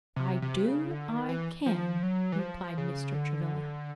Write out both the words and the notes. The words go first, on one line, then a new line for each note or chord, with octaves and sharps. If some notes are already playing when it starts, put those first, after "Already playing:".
"I do; I can," replied Mr. Travilla.
C3
C3
C#3
D3
D#3
E3
F3
F#3
E3
F3
C#3
D3